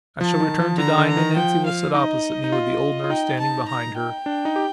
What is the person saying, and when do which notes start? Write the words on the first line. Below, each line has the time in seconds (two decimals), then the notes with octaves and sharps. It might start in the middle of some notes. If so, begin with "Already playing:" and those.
I shall return to dine and Nancy will sit opposite me with the old nurse standing behind her.
0.21 F3 A5
0.40 D#3
0.60 F3
0.78 D3 A#5
0.98 D3
1.08 A#5
1.17 D#3
1.36 F3 G5
1.66 F5
1.94 D#4 D#5
2.44 D#4
2.52 F4
3.04 F4
3.10 D#4 G5
3.39 A5
3.68 A#5
3.96 G5
4.26 D4
4.45 D#4
4.56 G4